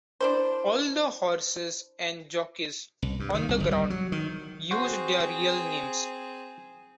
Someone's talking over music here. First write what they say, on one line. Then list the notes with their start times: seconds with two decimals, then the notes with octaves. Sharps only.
All the horses and jockeys on the ground used their real names.
0.20 D4 E4 C5
3.02 C2
3.20 G2
3.34 D#3
3.49 C2
3.60 G1
3.71 G3
3.90 F#3
4.12 D#3
4.71 C4 F#4 G#4 C5